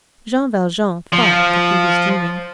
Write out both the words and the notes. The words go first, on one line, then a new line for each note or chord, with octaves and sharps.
Jean Valjean thought that he was dreaming.
F3